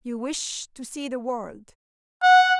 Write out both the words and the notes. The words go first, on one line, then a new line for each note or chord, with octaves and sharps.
'You wish to see the world.
F#5